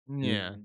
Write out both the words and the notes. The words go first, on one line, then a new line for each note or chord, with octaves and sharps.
Mm, yeah.
G#2